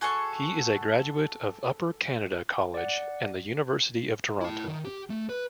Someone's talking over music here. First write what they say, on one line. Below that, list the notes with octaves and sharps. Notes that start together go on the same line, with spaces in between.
He is a graduate of Upper Canada College and the University of Toronto.
F#4 G#4 A4 C#6
D5 F#5
E4 A5
D#3
G4
A3
B4